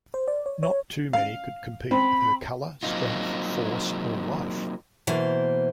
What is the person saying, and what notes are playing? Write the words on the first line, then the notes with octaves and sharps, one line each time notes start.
Not too many could compete with her "colour, strength, force, or life".
C5
D5
C#5
C#5
F5
C4 B5
F#3 A#3 C4 D#4 F4
B2 E3 A#3 C5